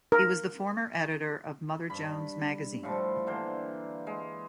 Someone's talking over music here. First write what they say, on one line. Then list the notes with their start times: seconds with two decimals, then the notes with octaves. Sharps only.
He was the former editor of Mother Jones Magazine.
0.12 A#4
1.90 G2 B5
2.83 A2 F3 G3
3.27 D3 E3 A#3 C5
4.07 G#3